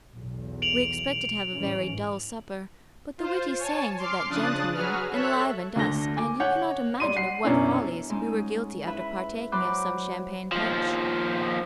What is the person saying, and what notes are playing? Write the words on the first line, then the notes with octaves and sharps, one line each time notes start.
We expected to have a very dull supper, but the witty sayings of that gentleman enlivened us and you cannot imagine of what follies we were guilty after partaking of some champagne punch.
B1 E2
D7 F7 F#7
G#2 E3 C#4
F4 C5
C#5 G#5 A5
C6 D6 F6 C7
C#3 F3 D4 D#6 F#6 A6
F#3 F#4 G#4 B4 F6
A4 C#5 E5 F#6
D2 D3 A5 A#6 G7
G#5 D6
C#5 F#5 G6
G3 D5 C6 D#7
F#5 C7
F#2 B2 C#4 D4 E4
G#2 G#3 C#4 D#4
E4 B4 E5
F#3 C5 D5 B5 D6 F#6
D#2 F3